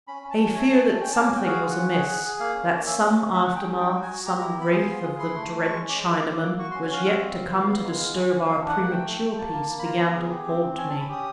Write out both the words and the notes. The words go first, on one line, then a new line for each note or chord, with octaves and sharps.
A fear that something was amiss, that some aftermath, some wraith of the dread Chinaman, was yet to come to disturb our premature peace, began to haunt me.
C#4 B5
C#4
A5
C#4
A3 G#5
A3
A3
C#4 G5
A5
C#4
G#5
F#4 G5
G#4 F5
F4
F#5
C#4
G#4 F#5
G#4
G#4
A#3 F5
C#4
A#3
C#4 E5
C#4
C#4
C#4 E5
F#5
C#4
G5
C#4
D#4 G5
F#4
G#5
F#4
G4 A#5
E4 A#5
B3 B5
G#4 C6
F4
G#4
E4 C6
A3
A3
G#3 C#6
C#4
D6
G#3
A#3 D6
A#3
A#3
F#4 C#6
C6
C#4
G#5
F#4 F5
C4 F5
C4
F4
B3
B3
G#3
F4
C#4
C#4
A#3 F5
D4
F#5
A#3
F#5
A3 G5
A3
G5
A3
A#3 A5
A#3
A#3
B5
F4 A#5
B3
G#4
G4
C4
C4
C#4 G#5
A5
C#4
B5
G4 D#6